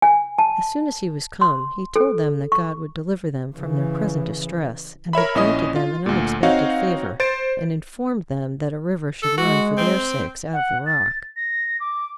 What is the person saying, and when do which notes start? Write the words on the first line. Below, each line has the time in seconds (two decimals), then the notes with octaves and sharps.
As soon as he was come, he told them that God would deliver them from their present distress, and had granted them an unexpected favor; and informed them, that a river should run for their sakes out of the rock.
0.02 G#5
0.39 A5
1.41 C6
1.96 A4
2.52 C#6
3.56 C#3 E3
5.13 A#4 C#5 E5 B5
5.35 A#1 C#4 E4 D#5 D#6
5.76 F4
6.06 D2 A#2
6.43 C4 D#4 F#4 C#5 F5 F#5
7.20 C5 C6 A6 D7
9.23 A4
9.38 G#3 F#4
9.77 C4
10.53 F#5
10.86 A6
11.36 A#6
11.80 D6